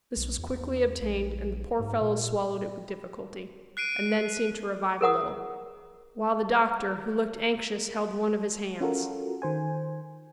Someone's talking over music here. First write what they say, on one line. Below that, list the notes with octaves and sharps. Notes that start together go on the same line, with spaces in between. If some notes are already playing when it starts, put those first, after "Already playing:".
This was quickly obtained, and the poor fellow swallowed it with difficulty, and then seemed to revive a little, while the doctor, who looked anxious, held one of his hands.
B1
E2
A#1
G#2
A#2
F#6 C7 D7 D#7
G#4 A#4 F#5 D#6
C#4 F4 F#4 A4 A#4
D#3 C5 G#5